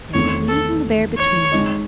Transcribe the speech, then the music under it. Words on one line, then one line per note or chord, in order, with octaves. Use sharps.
They were leading the bear between them.
E2 D#3 A3 C4 D#4 C#5
A4
C#5
G#3 D#4 G#4 D#5